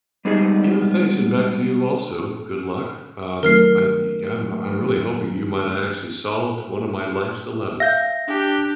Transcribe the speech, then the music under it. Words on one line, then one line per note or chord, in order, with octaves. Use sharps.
Yeah, thanks, and back to you also, good luck, um, I ye I'm I'm really hoping you might o' actually solved one of my life's dilemmas.
G3 G#3 B3 C4 D#4 G#4
D#3 F#3 A3 A#4 F6 C7
E5 F5 G6 A#6
D4 G4